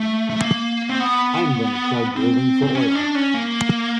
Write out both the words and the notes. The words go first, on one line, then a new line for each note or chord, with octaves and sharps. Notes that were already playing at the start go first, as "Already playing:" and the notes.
I am going to try drilling for oil.
Already playing: A3
A3
A#3
C4
B3
C4
C4
C#4
D4
C#4
A#3